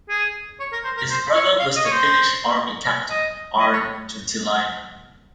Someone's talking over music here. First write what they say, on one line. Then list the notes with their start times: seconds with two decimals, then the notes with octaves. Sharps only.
His brother was the Finnish Army Captain Aarne Juutilainen.
0.09 G#4
0.60 C#5
0.73 A#4
0.85 C5
0.97 A#4
1.10 C5
1.35 C#5
1.60 F5
1.76 D#5
1.85 C#5
1.93 C5
3.10 D#5
3.60 D#5
3.73 C#5